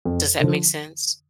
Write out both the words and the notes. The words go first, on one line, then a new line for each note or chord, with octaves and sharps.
Does that make sense?
F2
D3 F3